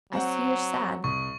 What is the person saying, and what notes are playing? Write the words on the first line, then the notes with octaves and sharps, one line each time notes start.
I see you're sad....
F#3 C4 F#5
C2 C#6 D#6